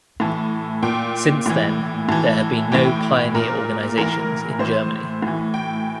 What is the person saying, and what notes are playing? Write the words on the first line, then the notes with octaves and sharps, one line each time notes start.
Since then, there have been no pioneer organisations in Germany.
A2 E3 A5
A#2 G5
A2 E3
A2 E3 A5
A2 E3 G5
A#2 A#4
A2 E3 A#4
A2 E3 C5
A2 E3
G5